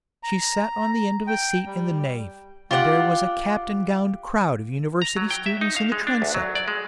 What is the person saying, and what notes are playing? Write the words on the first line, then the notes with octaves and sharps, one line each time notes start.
She sat on the end of a seat in the nave, and there was a capped and gowned crowd of university students in the transept.
A#5
G5
G3
F4 G4 D5 F#5
A#5
F#3
G5
E5
D#4
F5
G#3
D4
D2
F#3
D5
G#3